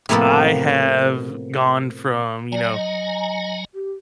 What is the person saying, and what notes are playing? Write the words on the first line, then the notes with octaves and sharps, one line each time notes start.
I have gone from, you know,
A2 C3 F3 A#3 B3 A4
F#3 D5 G#5 A#5
D#5
G4